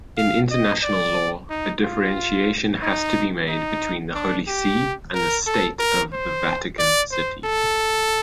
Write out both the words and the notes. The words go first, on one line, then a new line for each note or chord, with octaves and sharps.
In international law, a differentiation has to be made between the Holy See and the state of the Vatican City.
F5
D#5
D5
D#4
F4
D#4
D#4
D4
G4
A#4
A4
A#4
C5
D5
C5
A4